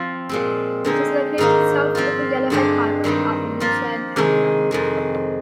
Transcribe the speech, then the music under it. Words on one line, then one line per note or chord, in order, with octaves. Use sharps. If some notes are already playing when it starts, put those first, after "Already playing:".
It is located south of the Yellowhead Highway at Lucerne Campground.
Already playing: F3 C4 F4
A#2 G#3 C4
D3 G#3 D#4
G#2 D#3 A#3 D#4
F3 C4 F4
G2 D3 G#3 D4 G4
G2 D#3 G3 C4 D#4
F3 A#3 F4
C3 D#3 G#3
F2 D#3 G#3